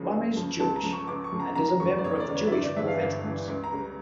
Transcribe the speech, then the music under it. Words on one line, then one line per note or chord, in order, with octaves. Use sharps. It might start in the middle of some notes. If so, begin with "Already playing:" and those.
Blum is Jewish, and is a member of Jewish War Veterans.
Already playing: C#2 C#3 F3
C#2
C#3 F3
C#2 A5
A#5
C#3 F3
C#6
C#2 D6
C#6
C#3 F3
A#5
F1 A#5
A#5
E2 C#3 C#6
D5
F1 C#5
D5
E2 C#3
C#5
E5
G1 D5
D5
G2 E3 E5
F5
G1 F5
G2 E3
C#2
A#5
C#3 G3